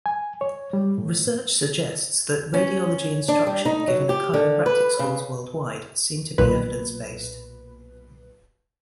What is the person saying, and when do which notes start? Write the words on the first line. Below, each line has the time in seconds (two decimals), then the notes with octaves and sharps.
Research suggests that radiology instruction given at chiropractic schools worldwide seem to be evidence-based.
0.06 G#5
0.41 C#5
0.73 G3
0.98 A2
2.54 C#4
3.28 D4
3.47 G3
3.65 D#4
3.88 F#3
4.09 G4
4.34 D3
4.66 B4
4.99 C#3
6.38 B1 A#2 B4